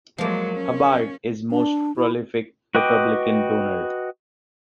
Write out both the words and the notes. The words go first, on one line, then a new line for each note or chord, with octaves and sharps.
Hubbard is a most prolific Republican donor.
F3 F#3 G#3 A#3
C#4
D4
E4
F#4 B4 D#5 G5 D6